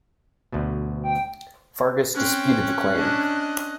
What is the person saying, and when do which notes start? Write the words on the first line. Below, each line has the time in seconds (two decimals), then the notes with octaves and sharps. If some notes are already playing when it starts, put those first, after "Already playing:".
Fargas disputed the claim.
0.53 D2 B2
1.03 G5
2.15 C4 C#4 G5 F#6
2.95 D4 D#5